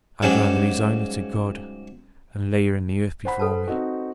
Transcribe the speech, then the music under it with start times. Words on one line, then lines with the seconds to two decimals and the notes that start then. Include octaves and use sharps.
I'd rather resign her to God, and lay her in the earth before me.'
0.22 G#2 C#3 F#3 G3
3.25 C5 F#5 B5
3.40 A4 B4 A5
3.67 C4 D#4 F#4